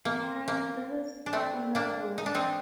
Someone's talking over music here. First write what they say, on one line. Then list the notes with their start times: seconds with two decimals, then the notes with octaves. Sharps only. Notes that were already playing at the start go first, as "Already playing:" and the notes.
And there was another one
0.05 A#3
0.48 A#3
1.26 D4
1.33 A3 C4
1.75 A#3 D4
2.18 D#4
2.26 D4
2.35 C4 D#4